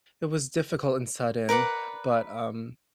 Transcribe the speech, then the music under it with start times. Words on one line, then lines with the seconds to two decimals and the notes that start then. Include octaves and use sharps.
it was difficult and sudden, but, um
1.49 A#4 B4 D5 F#5